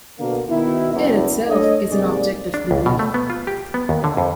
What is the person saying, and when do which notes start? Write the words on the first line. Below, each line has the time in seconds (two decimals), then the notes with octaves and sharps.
It, itself, is an object of belief.
0.19 B2 D3 A#3
0.49 B2 D#3 E4
0.93 F#1 E2
1.48 A3 D4 A4 C#5 D#5
1.90 G#2 C3 G#3 A#3 D5
2.54 D4
2.71 C#2
2.86 B2
2.99 A3
3.14 B3
3.30 F4
3.47 G4
3.74 B3
3.89 D#2
4.04 D3
4.17 F2